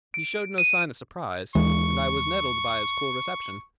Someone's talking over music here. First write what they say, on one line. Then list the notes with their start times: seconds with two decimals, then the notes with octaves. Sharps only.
He showed no sign of surprise, and I was nettled by his cool reception.
0.14 D7
0.58 D#7
1.55 D#2 E3 G#3 C#6